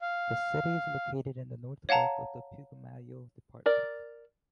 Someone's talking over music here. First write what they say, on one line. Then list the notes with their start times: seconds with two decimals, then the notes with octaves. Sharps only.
The city is located in the northwest of the Putumayo department.
0.01 F5
1.89 C#5 F5 F#5 A5 A#5
3.66 A#4 D5